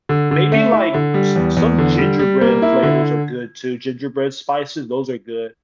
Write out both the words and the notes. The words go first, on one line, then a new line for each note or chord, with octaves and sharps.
maybe, like, s some gingerbread flavors are good too. Gingerbread spices, those are good.
D3
D3
A3
E4
D3
G3
E2
E2
D3
G3
G3
A#3
E4
D3